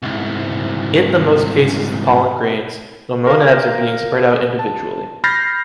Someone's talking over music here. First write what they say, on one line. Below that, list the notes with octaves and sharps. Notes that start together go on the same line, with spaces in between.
It the most cases the pollen grains, the "Monads" are being spread out individually.
C2 G#2
A#4 F5
A5
B5 F6 G6 A6 A#6 C7